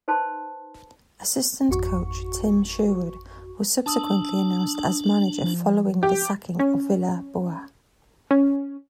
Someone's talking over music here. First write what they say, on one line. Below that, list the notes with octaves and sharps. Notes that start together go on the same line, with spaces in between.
Assistant coach Tim Sherwood was subsequently announced as manager following the sacking of Villas-Boas.
D#4 B4 C5 G#5 A5 C6
G#1 F2 F#4 C#6
D4 A5 D#6 E6
F3
G4
C#4
C#4